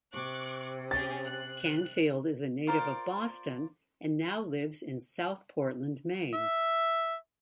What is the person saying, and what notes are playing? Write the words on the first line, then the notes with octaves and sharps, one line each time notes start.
Canfield is a native of Boston, and now lives in South Portland, Maine.
C3 C#6 D6 F#6
C#4 G4 G#4 A6
F#6
F4 A#4 C5 D5
E5